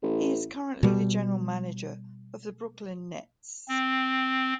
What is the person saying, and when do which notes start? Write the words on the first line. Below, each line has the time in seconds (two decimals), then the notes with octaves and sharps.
He is currently the general manager of the Brooklyn Nets.
0.02 A1
0.83 B2 G3
3.68 C4